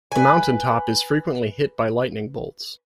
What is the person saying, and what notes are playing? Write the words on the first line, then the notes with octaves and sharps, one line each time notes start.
The mountain top is frequently hit by lightningbolts.
B4 G#5